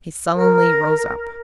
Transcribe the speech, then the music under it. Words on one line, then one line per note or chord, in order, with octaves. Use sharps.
He sullenly rose up.
A#4